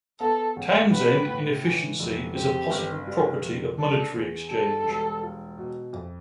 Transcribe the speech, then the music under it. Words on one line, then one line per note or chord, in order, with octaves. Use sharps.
Townsend inefficiency is a possible property of monetary exchange.
B3 A4
A1
A2 B4
A2
E3
F1
C4 G4
G1
G3
F1
D4 A4
E2
G3 A4
E1
F4
B2
F2